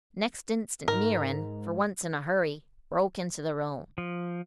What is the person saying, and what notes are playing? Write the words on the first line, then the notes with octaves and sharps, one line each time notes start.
Next instant Myrin, for once in a hurry, broke into the room.
G#2 A#4
F3